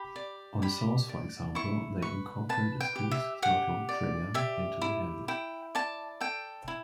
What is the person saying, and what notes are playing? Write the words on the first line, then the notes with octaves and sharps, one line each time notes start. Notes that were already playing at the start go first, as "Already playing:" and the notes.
On saws for example, they incorporate a squeeze throttle trigger into the handle.
Already playing: G4 B5
D5
G4 B5
D5
E4 C#6
B4 C#6
B4 A5
G5
G4
E5
G4 F#5
D5
G4 E5
E4
E4 G5
D5 A5
A4 G5
E4